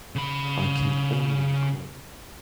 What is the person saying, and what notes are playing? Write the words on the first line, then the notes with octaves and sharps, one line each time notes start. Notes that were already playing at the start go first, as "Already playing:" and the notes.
I can only record.
C#3 B5